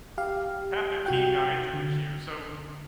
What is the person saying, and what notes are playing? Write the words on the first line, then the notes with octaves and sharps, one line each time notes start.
half their team got injured this year, so
G4 F5
C3 F#4 G5
D3